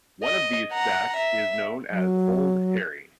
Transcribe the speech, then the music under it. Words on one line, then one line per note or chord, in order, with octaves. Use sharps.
One of these stacks is known as Old Harry.
D#5
F#5 A#5
E5
F#3